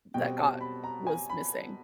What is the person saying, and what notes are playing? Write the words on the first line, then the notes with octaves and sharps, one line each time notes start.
that got was missing,
B2 G3 C4 G5
A5
B5
A#5
G#5
B5